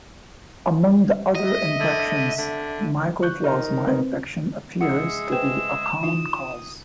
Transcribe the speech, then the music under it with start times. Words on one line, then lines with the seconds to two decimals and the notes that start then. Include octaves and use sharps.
Among the other infections, "Mycoplasma" infection appears to be a common cause.
1.35 D#5 E5
1.80 D3
2.38 D3
3.23 C#6 F#6 G6
3.44 D#4 A#4
3.87 C4 B4 C5
4.81 G#3 G#4 E5 F#5 C#7
5.32 B4 C5 G5 E7
6.03 D#4 F4 D#6